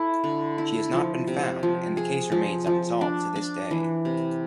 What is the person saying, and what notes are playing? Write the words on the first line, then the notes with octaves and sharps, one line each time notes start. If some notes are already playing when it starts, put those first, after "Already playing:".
She has not been found and the case remains unsolved to this day.
Already playing: E4 A4
D3
E4
F3
C3
F3
G#4
F3
F3
D4
D4
E3
C3